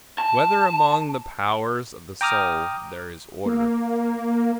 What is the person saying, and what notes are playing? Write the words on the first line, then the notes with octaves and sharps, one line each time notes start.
Whether Among the Powers of the Soul There Is Order?
A5
G5 A#5 D6 D#6 F6
A#3